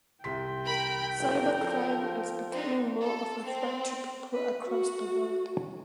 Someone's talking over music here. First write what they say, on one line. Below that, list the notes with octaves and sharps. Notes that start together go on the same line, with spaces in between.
Cyber-crime is becoming more of a threat to people across the world.
C2 G5 C6 B6
A#4 B5 D7
F#1 A#4
F3 A4
C4 D4 D#4
A4
C4
B4
F#4